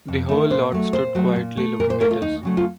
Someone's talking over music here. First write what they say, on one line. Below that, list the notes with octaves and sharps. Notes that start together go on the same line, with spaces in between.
The whole lot stood quietly looking at us.
F2
D#3 A3
A#2 C5
F#3 A3
A#2 C5
F#3 A3
A#2
A3
A#2 A#4
C5
A3 A#4
F4
D#2 D#4
C#3 F#3 A3
F4